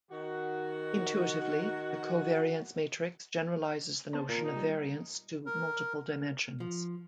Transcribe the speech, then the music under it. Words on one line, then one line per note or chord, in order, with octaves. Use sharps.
Intuitively, the covariance matrix generalizes the notion of variance to multiple dimensions.
D#3 F#4
B3 C5 A5
A#2 A#4
D#4
G3
A#4
F3